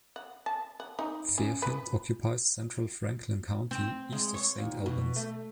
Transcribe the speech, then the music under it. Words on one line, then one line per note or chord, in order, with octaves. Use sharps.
Fairfield occupies central Franklin County, east of Saint Albans.
F#5
A5
F#5
D#4
C#4
B4
C4
G#3
C#5
D#2
B2
A3